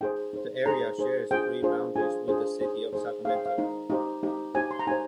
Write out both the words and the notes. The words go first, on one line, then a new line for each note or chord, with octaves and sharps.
The area shares three boundaries with the City of Sacramento.
D#4 G#4 C5 G5
D#4 G#4 C5
D#4 G#4 C5 A#5
D#4 G#4 C5
D4 F4 G#4 C5 G5
D4 F4 G#4 C5
D4 F4 G#4 C5 G#5
D4 F4 G#4 C5
D#4 G#4 C5
D#4 G#4 C5
D#4 G#4 C5 F5
G5
F5
D#4 G#4 C5
D#4 G4 C5
D#4 G4 C5
D#4 G4 C5 G#5
C6
A#5
D#4 G4 C5 G#5